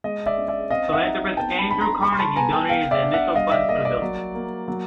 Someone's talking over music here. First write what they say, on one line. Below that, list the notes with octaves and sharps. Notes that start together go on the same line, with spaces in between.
Philanthropist Andrew Carnegie donated the initial funds for the building.
G#3 D#5
D5 E5
C#4
D5 E5
C4 D#5 F5
E5 F#5
D#4
B3 G5 A5
A5 B5
D4 B5
A#5 C6
G3 B5 C#6
C6
A5 B5
B3 G#5 A#5
G5 A5
B3 F5 G5
D5 E5
D4
E5 F#5
G3 D#5 F5
D5 E5
A#3 D#5
D5
F#3
A#3
F#3